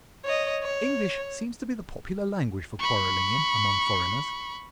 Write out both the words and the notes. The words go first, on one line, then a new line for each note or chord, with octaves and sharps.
English seems to be the popular language for quarrelling in, among foreigners.
C#5 D#5
C#5
B5 C#6